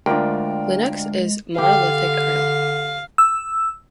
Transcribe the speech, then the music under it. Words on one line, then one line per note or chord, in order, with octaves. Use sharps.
Linux is a monolithic kernel.
D2 G#3 D4 F4 A#4 G5
D3 G4 F5
E6